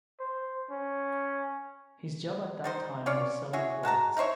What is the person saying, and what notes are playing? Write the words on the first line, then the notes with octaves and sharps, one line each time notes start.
His job at that time was selling clothes.
C5
C#4
G3 D#4 C5
C#4 F4 C#5 D5
E4 F#4 G#4 C#5
G#3 F#4 A5 A#5
D#4 E4 C5 C#5